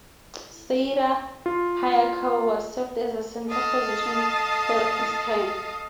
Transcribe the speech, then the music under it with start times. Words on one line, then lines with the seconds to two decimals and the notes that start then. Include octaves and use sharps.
Seira Hayakawa was served as the center position for the first time.
1.46 F4
3.49 A4 D#5 F5 A5